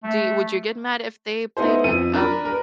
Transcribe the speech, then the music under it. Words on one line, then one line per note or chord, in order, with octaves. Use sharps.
Do you would you get mad if they played with, um
A3
B3 D#4 E4 C5
F2 D#7
D4 A#4 B5
A#4 B4